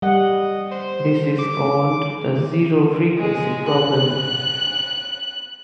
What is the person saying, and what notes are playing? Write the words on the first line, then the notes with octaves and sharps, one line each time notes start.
This is called the zero-frequency problem.
G3 D#5 F#5
C5
D6
G#3
F#6